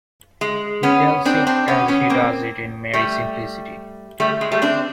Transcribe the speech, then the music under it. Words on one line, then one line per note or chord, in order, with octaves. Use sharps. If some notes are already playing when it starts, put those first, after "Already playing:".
He tells it as he does it in mere simplicity.
G#3
B3 C#4
C4 D4
C4 D4
B3 C#4
B3 C#4
A#3 C4
G3 A3
G3 A3
G#3
G3 A3
C4 D4